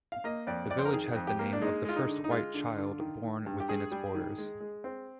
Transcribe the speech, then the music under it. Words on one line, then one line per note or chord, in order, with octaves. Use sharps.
The village has the name of the first white child born within its borders.
F5
A#3 D#5
F2 D5
F2 D5
C5
A#4
D#3 G#4
F2
G4
A#3
D4
G#3 D#4
G#3 F4
D#4
D3
D#4
G#3 F4
D3
D3
D#3
D#3
G2
G4
G2 G#4
G3
D#3
G#3
G#3
C4